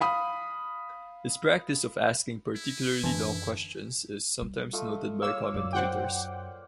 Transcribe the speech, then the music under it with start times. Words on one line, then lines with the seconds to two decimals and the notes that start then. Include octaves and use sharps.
His practice of asking particularly long questions is sometimes noted by commentators.
0.01 F5 B5 D#6
2.56 E4
3.03 F#2 D3 E3 C#4 D4 G#5 A5
4.42 G3
4.73 A3 F4 D#5
5.22 A#3 C#5 F5 E6
5.54 F#2 D5
5.73 C5 F#5 G5